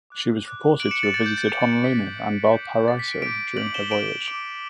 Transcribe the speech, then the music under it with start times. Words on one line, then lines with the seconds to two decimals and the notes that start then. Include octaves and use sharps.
She was reported to have visited Honolulu and Valparaiso during her voyage.
0.10 D6 F#6
0.46 D6 F#6
0.79 F#6 D7 F#7
0.83 D6
0.91 C#7 E7
1.03 A6 C#7
1.14 D6 G6 A6
1.26 G6
1.38 A6
1.49 D6 G6 A6
1.61 A6
1.72 C#7 E7
1.84 D6 B6
1.88 G6
1.95 A6
2.07 G6
2.19 D6 G6
2.47 A6
2.53 D6 G6
2.88 D6 G6 A6
2.99 B6
3.11 B6 D7
3.22 D6 B6 D7
3.26 G6
3.57 D6 G6 D7 F#7
3.74 E7 G7
3.91 G6 D7 F#7
3.96 D6
4.26 D6 G6 D7 F#7